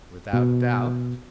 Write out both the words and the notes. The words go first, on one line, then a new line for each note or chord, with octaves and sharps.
"Without doubt."
B2